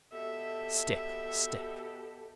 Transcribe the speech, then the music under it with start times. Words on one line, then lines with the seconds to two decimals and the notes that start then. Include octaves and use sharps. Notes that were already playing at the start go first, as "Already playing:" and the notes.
'Stick, stick!
0.13 B2 G4 A4 E5